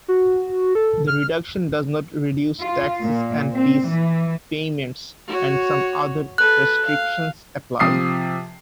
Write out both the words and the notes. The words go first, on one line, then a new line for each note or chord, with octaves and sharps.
The reduction does not reduce taxes and fees payments, and some other restrictions apply.
F#4
A4
F6
F4
A#2
C4
E3
F#4 C#5
A4 B4 F#6
F5
C3 F3 D#6 C7